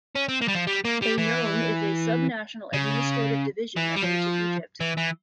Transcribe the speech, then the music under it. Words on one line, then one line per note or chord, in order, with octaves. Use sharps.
A nome is a subnational administrative division of Ancient Egypt.
C#4
C4
A#3
G3
F3
G3
A#3
G3
E3
C#3
E3
G3
F3
E3
E3